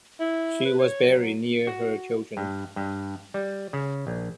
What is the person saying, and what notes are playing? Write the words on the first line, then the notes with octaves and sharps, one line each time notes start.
She was buried near her children.
E4
B4
C#5
F#3
F#4
G2
G2
G3
C#3
A#1